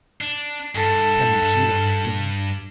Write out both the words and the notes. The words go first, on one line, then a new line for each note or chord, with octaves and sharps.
"Can you see what they are doing?"
D4
G2 A4